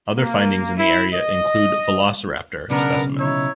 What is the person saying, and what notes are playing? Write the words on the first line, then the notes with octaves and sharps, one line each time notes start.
Other findings in the area include “Velociraptor” specimens.
A#3
E4
D#5
B1 C#3 B3 D4 A#4
D#4 E4 C#5